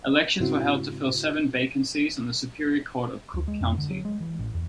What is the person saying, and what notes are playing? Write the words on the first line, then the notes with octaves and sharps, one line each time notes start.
Elections were held to fill seven vacancies on the Superior Court of Cook County.
G#2 C#3 C4 E4 F#4
D2
G#3
F2
D3
F#3
G#3
E3
A1
E2